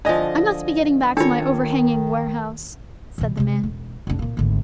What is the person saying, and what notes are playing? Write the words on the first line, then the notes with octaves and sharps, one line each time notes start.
"I must be getting back to my overhanging warehouse," said the man.
D3 F3 D#5 G#5
D#3 D4 F4 A4 C#5
B2 E3
C3 G#3
E1
F1 D4
A#2 A#3
G#1 D2